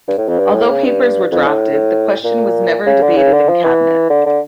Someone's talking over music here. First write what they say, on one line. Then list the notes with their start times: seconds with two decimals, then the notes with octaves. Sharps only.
Although papers were drafted, the question was never debated in Cabinet.
0.08 G2
0.18 A2
0.28 F2
0.39 G2
0.54 A2
0.70 C#3
0.85 G2
1.32 F2
1.47 A2
2.24 A#2
2.86 C#3
3.02 D3
3.17 C#3
3.33 D3
3.49 F3
3.64 E3
4.10 D3
4.26 D3